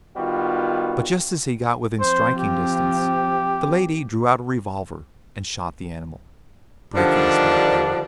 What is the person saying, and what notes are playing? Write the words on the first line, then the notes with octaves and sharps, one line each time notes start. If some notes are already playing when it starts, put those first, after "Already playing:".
But just as he got within striking distance, the lady drew out a revolver and shot the animal, breaking his backbone.
D#3 G3 B3 F4 F#4
F3 C4 C5
G4
D3 D#3 F3 G3 D4